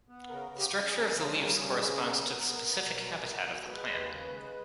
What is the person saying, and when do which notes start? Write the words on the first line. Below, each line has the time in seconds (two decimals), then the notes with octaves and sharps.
The structure of the leaves corresponds to the specific habitat of the plant.
0.09 B3
0.30 C#3 A#4
0.51 C#3
0.58 G4
0.72 C#3
0.86 G#4
0.93 C#3 A#4
1.08 G#4
1.14 C#3
1.20 A#4
1.30 G#4
1.35 G3
1.42 A#4
1.53 C#3 G#4
1.63 A#4
1.75 C#3 G#4
1.94 G#4
1.99 B3 A#4
2.20 B3
2.41 B3
2.62 B3
2.84 B2
3.05 G3
3.26 B3
3.47 B2
3.68 G#3 B4
3.90 D#2
4.11 C#3
4.32 G#3